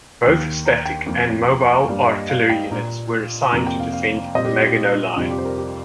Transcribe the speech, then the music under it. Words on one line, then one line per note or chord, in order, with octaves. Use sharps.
Both static and mobile artillery units were assigned to defend the Maginot Line.
D#2 D#3 A#3 G5
A#5
G5
F2 F3 A#3
G2 G3 A#3 F5
D#5
F5
G5
A#2 A#3 A#5
F2 C3 F3 A#3 A#5
G5
F5
F5
A#2 G3 C4 D#5
G4
F4
G4
F2 C3 G3 F4
G4
C5
A#4
G4